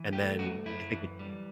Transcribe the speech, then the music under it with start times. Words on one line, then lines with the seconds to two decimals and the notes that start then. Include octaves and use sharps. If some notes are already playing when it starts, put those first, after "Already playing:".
and then if it gets
Already playing: E3
0.13 A3 G4
0.39 G2 F#4
0.66 F#2 E4
0.93 E3
1.19 G3